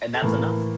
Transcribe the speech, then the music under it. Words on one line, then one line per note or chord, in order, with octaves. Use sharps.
And that's enough.
A4
A2 E3 A#3 A#4